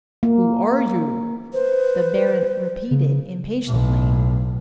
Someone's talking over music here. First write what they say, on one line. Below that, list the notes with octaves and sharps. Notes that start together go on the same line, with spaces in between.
"Who are you?" the Baron repeated, impatiently.
A#3
B4 C5
C#3
B1 A2